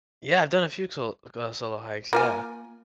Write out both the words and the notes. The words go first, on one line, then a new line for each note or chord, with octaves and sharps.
Yeah, I've done a few tol uh, solo hikes, yeah.
A#3 F4 G#5